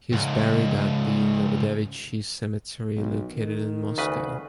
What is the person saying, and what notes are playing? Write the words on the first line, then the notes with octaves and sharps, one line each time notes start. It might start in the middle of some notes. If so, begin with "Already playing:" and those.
He is buried at the Novodevichy Cemetery located in Moscow.
C#2 G#2
B1
D#3
D2 C#3 B4